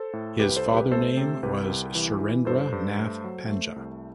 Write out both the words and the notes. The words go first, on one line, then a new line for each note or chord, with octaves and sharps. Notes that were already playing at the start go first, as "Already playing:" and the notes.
His father name was Surendra Nath Panja.
Already playing: A4 C5
A2
C2 G4 B4
A4 C5
C2
G4 B4
A3 A4 C5
C3
C2 G4 B4
C2
E3
E3
G2 A4 C5
G2
A3
F#3
A3
C2